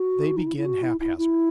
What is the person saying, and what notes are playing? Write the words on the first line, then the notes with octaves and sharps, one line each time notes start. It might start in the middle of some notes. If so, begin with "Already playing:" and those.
They begin haphazard.
Already playing: F#4
D#4
E4
E4
F#4
E4
E4
E4